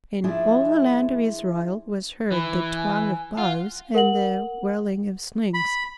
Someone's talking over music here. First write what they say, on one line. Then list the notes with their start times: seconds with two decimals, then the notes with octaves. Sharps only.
In all the land of Israel was heard the twang of bows and the whirling of slings.
0.24 F3 D4 E4 G#4
2.32 E3 B5
2.78 G#5
3.38 F4 F#5
3.95 A#4 F#5 F#7
5.54 B5